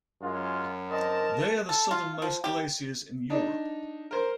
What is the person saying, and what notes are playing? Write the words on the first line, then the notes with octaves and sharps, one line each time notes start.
They are the southernmost glaciers in Europe.
F#2 G#3 F4
C4 A#4 D5 D#5 A5
A4
F4
F3
G4
D4 D#4
A#4 C5